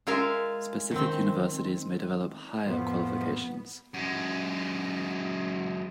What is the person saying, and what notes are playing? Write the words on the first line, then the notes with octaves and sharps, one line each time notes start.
Specific universities may develop higher qualifications.
G#3 F4 G#4 A#4 E5 F5
D#3 C4
F2 A2 F3 B3
F#2 G#3